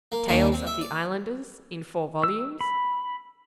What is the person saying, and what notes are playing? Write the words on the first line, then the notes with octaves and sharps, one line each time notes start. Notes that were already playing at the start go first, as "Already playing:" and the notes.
Tales of the Islanders, in four volumes.
A#3
D#2 D#3 A#3 C#4 D4 A5
C4
E5
D5
E6
B5